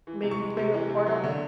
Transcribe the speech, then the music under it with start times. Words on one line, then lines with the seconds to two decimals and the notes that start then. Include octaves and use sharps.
maybe played a part on it.
0.07 E3
0.23 C3
0.31 C#6
0.40 G#3
0.57 C3
0.74 E3
0.90 C3
1.07 F#3
1.24 D3